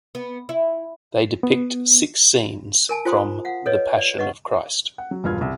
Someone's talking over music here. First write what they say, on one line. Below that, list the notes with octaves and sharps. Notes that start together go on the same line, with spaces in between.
They depict six scenes from the "Passion of Christ".
B3
E4
B3
A#4 G#5 A5
F4 C5 G5 C6 D#6
F5 F#5
A4 B4 C#5 D#5
D5
B4 D#5 F#5 C#6
F#5
F#3
E1 G2 F4 F6 G#6
C2